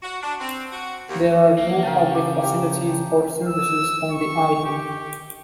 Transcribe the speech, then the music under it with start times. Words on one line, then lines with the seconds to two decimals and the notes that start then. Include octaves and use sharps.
There are no public facilities or services on the island.
0.02 F#4
0.21 D4
0.40 C4
0.71 F#4
1.08 D#2
1.58 A#3
1.83 C#3 A#4 G5 A5
2.15 D6
2.42 G4
3.47 E6
4.11 C#6
4.65 G4